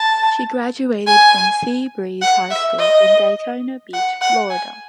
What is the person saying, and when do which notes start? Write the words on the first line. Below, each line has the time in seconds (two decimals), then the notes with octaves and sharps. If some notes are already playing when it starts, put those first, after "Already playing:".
She graduated from Seabreeze High School in Daytona Beach, Florida.
Already playing: A5
1.07 G#5
2.22 F#5
2.50 E5
2.79 D#5
3.93 F#5
4.21 F#5
4.50 G#5